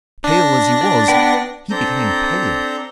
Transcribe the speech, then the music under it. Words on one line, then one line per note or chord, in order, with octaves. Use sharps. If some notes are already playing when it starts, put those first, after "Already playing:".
Pale as he was, he became paler.
D4 A#6
D5
B3 B4 G5
C4 D4 A4 A#5 G6